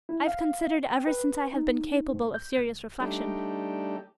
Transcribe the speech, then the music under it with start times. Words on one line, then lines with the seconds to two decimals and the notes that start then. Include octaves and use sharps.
I have considered, ever since I have been capable of serious reflection.
0.09 E4
0.27 F5
0.90 G5
1.07 B4
1.53 D#4
2.14 G#2
2.34 G6
2.57 C#2
3.00 G3 A3 D4 D#4 G4